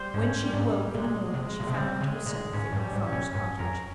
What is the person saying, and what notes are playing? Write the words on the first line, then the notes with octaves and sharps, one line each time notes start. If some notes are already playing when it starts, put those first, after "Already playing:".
When she awoke in the morning, she found herself in her father's cottage.
Already playing: G3 C5
G#2 C#4
G3
G#2
G3
A#2 G#3
G#3
C3
G#3
A#2
C3
C#3 C4
C#3 G#3
A#2 G#3
G#2 C#4
G2
G3
G#2
C#4
A#2
G2 C#4
F2 A#4